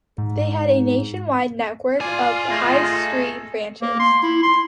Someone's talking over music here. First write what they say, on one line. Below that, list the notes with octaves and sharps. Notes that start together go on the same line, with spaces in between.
They had a nationwide network of high street branches.
G#2
F4 A4 D5 G#5
A3 G#4 D#5
A#3
C6
E4
C6